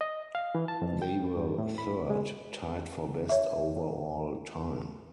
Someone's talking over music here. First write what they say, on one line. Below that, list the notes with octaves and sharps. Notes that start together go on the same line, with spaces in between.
They were third, tied for best overall time.
D#5
F5
E3
A5
F2
G5
G2
A2
B5
G#3
C#5 E5